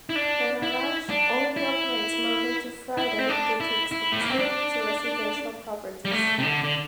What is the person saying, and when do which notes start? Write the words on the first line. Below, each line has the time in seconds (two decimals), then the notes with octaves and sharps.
The garage only operates Monday to Friday due to its proximity to residential properties.
0.09 E4
0.16 D4
0.63 E4
1.10 D4
1.56 E4
2.98 E4
3.19 C4
3.29 D4
3.60 E4
3.92 E4
4.12 A3
4.21 A#3
4.30 C4
4.39 D4
6.05 G3
6.11 A3
6.38 C3
6.43 D3
6.63 D3